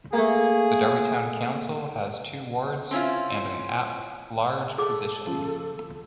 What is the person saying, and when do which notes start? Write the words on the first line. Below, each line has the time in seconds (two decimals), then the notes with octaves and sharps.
The Darby Town Council has two wards and an at-large position.
0.13 A3 A#3 G#4
2.91 C4 C#4 E4 F4
4.78 G#4 A4 D6
5.26 C#3 F3